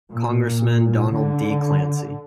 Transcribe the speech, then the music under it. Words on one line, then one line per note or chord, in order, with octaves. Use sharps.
Congressman Donald D. Clancy.
A#2
D3